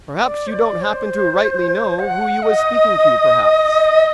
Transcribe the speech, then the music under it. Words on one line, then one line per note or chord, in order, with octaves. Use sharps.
Perhaps you don't happen to rightly know who you was speaking to, perhaps?
D5
C5
D5
C5
F#5
D#5